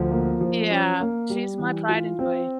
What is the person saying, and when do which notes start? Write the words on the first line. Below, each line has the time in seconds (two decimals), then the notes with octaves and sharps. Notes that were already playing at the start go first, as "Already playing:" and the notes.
Yeah. She's my pride and joy.
Already playing: D2 F3
0.11 A#3
0.41 F3
0.70 C#4
1.01 A#3
1.30 G3
1.59 E3
1.89 F4
2.19 C4